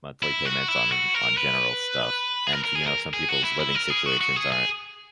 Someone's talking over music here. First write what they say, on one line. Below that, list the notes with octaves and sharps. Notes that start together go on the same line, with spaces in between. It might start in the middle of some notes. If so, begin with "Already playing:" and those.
monthly payments on on general stuff, and, you know, some people's living situations aren't
E4
F#4
E4
F#4
A#4
B4
G#4
A#4
A#4
G#4
A#4
G#4
F#4
E4
E4
A#4
G#4
F#4
F#4
G#4
G#4